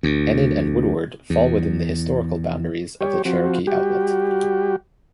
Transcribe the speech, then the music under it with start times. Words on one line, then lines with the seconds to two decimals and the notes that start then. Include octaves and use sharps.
Enid and Woodward fall within the historical boundaries of the Cherokee Outlet.
0.03 D2
1.30 E2
3.01 G3 G4 C#5
3.25 F3 C4 F#4
3.67 G3 F#4 G4